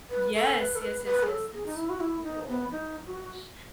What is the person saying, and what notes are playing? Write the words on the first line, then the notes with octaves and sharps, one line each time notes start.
Yes, yes, yes, yes, that's so cool, oh my gosh.
B4
A4
B4
A4
B4
B4
G#4
A4
G#4
D#4
E4
F#4
E4
D#4
B3
D#4
F#4